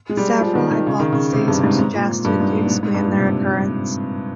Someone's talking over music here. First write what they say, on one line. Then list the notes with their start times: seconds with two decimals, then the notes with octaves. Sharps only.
Several hypotheses are suggested to explain their occurrence.
0.10 G#3
0.17 G3
0.41 F3
0.55 D#3
0.71 D#3
0.87 C#3
1.00 D#3
1.12 C#3
1.33 C3
1.48 G2
1.64 G#2
1.79 G#2
1.94 A#2
2.25 G2
2.40 G#2
2.56 A#2
2.67 A#2
2.72 G#2
2.83 G#2
2.95 G2
3.06 A#2
3.18 C3